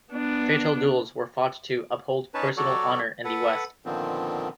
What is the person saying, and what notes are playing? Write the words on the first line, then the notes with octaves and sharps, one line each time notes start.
Fatal duels were fought to uphold personal honor in the West.
B3 D4
C#4 D#4 B4 C#5 A5
F#3 F#4 A4 C#5 D5
A4 B4 F#5
A#2 D3 D#3 F3 B3 C4